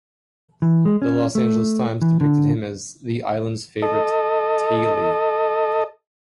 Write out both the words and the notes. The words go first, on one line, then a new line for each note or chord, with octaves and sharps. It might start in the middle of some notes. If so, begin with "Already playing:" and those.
"The Los Angeles Times" depicted him as "the island's favorite 'tailie'".
E3
G#3
C#4
A3
E3
D3
A4 D#5